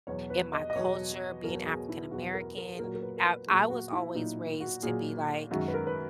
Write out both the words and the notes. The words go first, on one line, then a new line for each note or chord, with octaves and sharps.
in my culture, being African American, I I was always raised to be, like,
E2 B2 F#3 C#5
B4
D#5
D#5
E2 B2 F#3 C#5
E2 B2 F#3 A#4
G#4
E4
E2 B2 F#3 F#4
A#4
A#4
G#4
A#2 F#3 A#4
A#4
B4
A#4
B4
A#2 F#3 G#4
F#4
E4
A#2 F#3 D#4
F#4
A#2 F#3 G#4
F#2 D#3 G#3 F#4
B4
A#4
B4